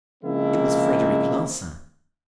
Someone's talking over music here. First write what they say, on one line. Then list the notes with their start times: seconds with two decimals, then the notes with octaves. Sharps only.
It was Frederic Larsan.
0.24 C#3 F3 G#3 A#3 C4 E4